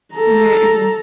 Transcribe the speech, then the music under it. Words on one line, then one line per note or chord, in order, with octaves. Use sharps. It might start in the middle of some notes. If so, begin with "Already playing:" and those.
Mhm, mhm.
A4 A#5